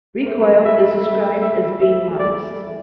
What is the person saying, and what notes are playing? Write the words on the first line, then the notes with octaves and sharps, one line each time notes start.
Recoil is described as being modest.
A#3
A3 C4
G3 A#3
E3 G3
G3 E5
A3
G3
A3
G3
A3
G3 E5
A3
G3
A3
G3
A3 E5
G3
A3
E3 G3
F3 A3 E5
G3
A3
G3 D5
A3
G3
A3
G3
A3
E3